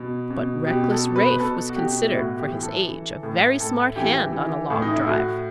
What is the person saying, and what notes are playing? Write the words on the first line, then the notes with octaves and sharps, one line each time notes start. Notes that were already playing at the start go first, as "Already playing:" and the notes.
But reckless Rafe was considered, for his age, a very smart hand on a log drive.
Already playing: B2
B2
B2 G4
A4
B2
B4
B4
B2 A4
F#4
B2 G4
E4
A2 F#4
G4
E3
A4
E3
A2
A2 A4
E3 G4
E3
A2
D#4
E4
A2 F#4